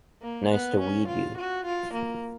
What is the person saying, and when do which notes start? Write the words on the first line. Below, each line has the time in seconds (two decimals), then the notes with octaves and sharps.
Nice to "weed" you!
0.22 A#3
0.51 B3
0.80 C#4
1.07 F4
1.37 F#4
1.65 F4
1.93 A#3